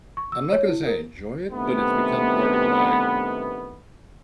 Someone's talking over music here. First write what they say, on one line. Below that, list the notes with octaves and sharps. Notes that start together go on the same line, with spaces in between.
I'm not gonna say I enjoy it, but it's become part of my,
C#6
E6
C#5
E4
A#4
G2 C3 D#3 A3 B3